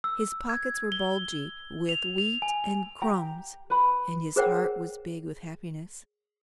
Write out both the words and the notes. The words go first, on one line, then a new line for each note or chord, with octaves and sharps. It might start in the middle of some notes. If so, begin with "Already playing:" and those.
His pockets were bulgy with wheat and crumbs, and his heart was big with happiness.
E6
G#6
G7
F7
F7
G#5
G4 G5 A#5
B4 B5
G#4 A#4 C5 C#5 F#5 G5